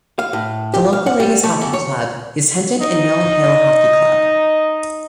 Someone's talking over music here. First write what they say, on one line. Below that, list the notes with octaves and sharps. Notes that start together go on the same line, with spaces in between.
The local ladies hockey club is Hendon and Mill Hill Hockey Club.
F5
A2
G4
F5
F#5
G3
A3
E2
C#5
D#4 D#5